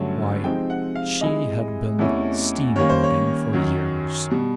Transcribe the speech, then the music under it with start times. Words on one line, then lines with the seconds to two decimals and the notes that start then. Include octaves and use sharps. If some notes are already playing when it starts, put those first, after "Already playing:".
Why, she had been steamboating for years.
Already playing: G2 D3 F#3 A3 C#4
0.44 C3 F3 G#3 C4 D#4 G5
0.70 F#5
0.95 F5
1.21 C3 E3 G#3 D#5
1.99 E2 C3 E3 A3 C#4
2.76 D#3 G3 A#3 C#4 C#5
2.89 C5
3.04 C#5
3.53 F#2 D#3 F#3
4.30 B2 G3